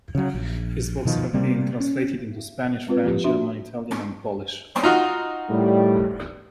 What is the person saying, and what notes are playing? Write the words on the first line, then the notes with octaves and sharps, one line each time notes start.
His books have been translated into Spanish, French, German, Italian and Polish.
C#3 F#3
A#1
B2 D#3 F3
C3 G3 A#3 C4
C#4
G#3 C4 F4 B4
F3 F4 G4
D4 F#4 E5 C6
D#4 F4 F#4
A2 D#3 G3